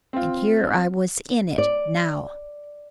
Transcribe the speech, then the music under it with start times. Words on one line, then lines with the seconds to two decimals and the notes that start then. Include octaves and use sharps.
And here I was IN it now.
0.13 C4 F4
1.58 D5